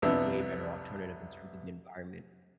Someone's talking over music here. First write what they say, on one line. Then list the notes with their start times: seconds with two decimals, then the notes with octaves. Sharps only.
a way better alternative in terms of the environment
0.02 C2 F2 B3 D4 E6